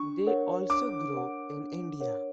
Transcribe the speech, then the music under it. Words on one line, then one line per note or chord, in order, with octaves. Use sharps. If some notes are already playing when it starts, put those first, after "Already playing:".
They also grow in India.
Already playing: D4 C#6
A#4 C#5 F#5
D4 D6
A#4 C#5 F#5
D4
A#4 C#5 F#5